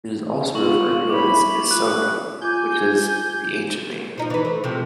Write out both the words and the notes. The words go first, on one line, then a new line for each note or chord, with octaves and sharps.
It is also referred to as Issoundun, which is the ancient name.
B3 F4 C#6 F#7
E4 B5 D6
F4 F#6
F4 G#5 D6 G6
F3 D#4
E3 B4
A3
C3 F3 G#3